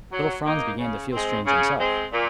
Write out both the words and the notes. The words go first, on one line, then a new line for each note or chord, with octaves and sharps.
Little Franz began to feel strange himself.
F#3
A#3 D#4
C#3
G#3 C4
C#3
G#3 C4
A#2